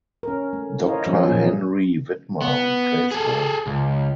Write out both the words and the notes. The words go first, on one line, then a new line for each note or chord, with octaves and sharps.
Doctor Henry Widmer replaced her.
C#4 A#4
A3
E4 A#4 C5 C#5 D#5 F5
F3 F#3 C#4 F4
A#2 F3 A#3 G#4
B3
G#4 A4
C#2